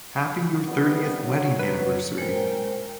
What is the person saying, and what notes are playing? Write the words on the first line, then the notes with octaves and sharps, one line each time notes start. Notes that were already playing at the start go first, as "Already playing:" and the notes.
Happy your thirtieth wedding anniversary!
C2 G3 B3
F#3
B4
A#2 G#3 A#4 C5 G5